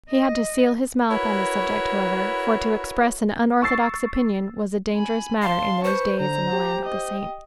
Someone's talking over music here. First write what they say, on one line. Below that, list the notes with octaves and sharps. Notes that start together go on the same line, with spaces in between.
He had to seal his mouth on the subject, however, for to express an unorthodox opinion was a dangerous matter in those days in the Land of the Saints.
D#5
E4 F#4 A#4 B4 C#5
C#6 E6 A6 C7
G#5 B5
F5 A5 C6
B4 C5 C#6
D3 A#5
G4
D#5